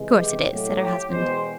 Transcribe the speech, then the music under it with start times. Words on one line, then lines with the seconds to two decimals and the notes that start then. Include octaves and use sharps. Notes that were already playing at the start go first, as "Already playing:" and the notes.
"Course it is!" said her husband.
Already playing: C3 E3 G#3
0.20 G4
0.50 A2 F#3 A3
0.79 G4
1.09 E2 B2 G#3 C5